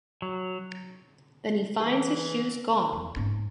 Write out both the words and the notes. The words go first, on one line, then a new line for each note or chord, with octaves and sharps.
Then he finds his shoes gone.
F#3
E3 G#4
E2
G#2 C#4